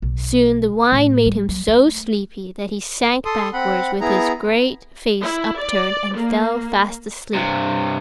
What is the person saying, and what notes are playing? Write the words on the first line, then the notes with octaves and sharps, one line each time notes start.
Soon the wine made him so sleepy that he sank backwards with his great face upturned and fell fast asleep.
B1
A2
G3
F#3
A3
A4 C6 D#6
C4 F#5 B5
B3 E4 G#4 A#5
E4
D5
A#3
G2 C3